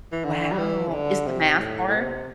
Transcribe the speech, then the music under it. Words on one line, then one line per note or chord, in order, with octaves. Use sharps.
Wow, is the math hard?
E3
D3
G3
E3
C3
D3
C3
A2
A2
C3